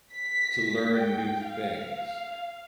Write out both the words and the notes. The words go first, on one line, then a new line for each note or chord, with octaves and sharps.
to learn new things
B6
G5
F5